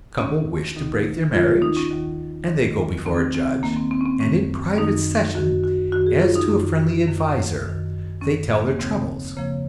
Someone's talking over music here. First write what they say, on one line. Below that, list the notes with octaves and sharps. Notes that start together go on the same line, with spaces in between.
A couple wish to break their marriage, and they go before a judge, and in private session, as to a friendly adviser, they tell their troubles.
D#2 D#3 C#4
D#2 D#3 D#4
D#2 D#3 F4
F4
D#4
C#4
D#2 D#3
D#2 D#3
D#2 D#3 C4
C4
D#2 D#3 A#3
C4
C4
C#4
C4
F#2 D#3 C#4
F#2 D#3 D#4
F#2 D#3 F#4
F#4
F#2 D#3 F#4
G#4
F4
D#4
F#2 D#3
F#2 D#3
F#2 D#3
F#2 D#3 C#4
A#3
D#2 C#3 F3 C4
D#2 C#3 F3 A#3